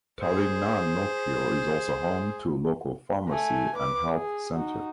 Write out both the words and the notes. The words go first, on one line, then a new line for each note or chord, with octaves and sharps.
Tallinnanaukio is also home to local pharmacy and health center.
G#4 C5
A3 G#5
B4 D6
G#4
D#4 F#4